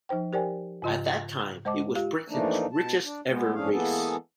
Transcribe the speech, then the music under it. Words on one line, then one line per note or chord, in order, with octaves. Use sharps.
At that time, it was Britain's richest ever race.
F3 D#4 C5 G5
G4 A#4 C5 D5 G5 G#5
G#2 C#3 F4 D#5 C6
G#3 C5 D#5 A5 D6
F4 G4 F5
E3 F3 A3 A#3 D4 D#4
B2 A5
D4
G#3 B3
G2 F3 C#4 D4 G#4 F5
E3 G#3 A#3 B3 G#4 A4